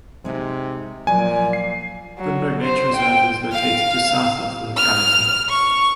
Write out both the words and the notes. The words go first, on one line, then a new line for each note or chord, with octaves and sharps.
Vinberg Nature Reserve is located just south of the locality.
C3 G#3 D#4
A#2 F3 F#3 D5 G#5
C7
F#3
C5
G5
F5
F6
C#6